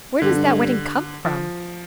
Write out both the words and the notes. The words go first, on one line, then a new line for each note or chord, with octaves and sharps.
"Where does that wedding come from?"
G2 D3
F2
G2
F3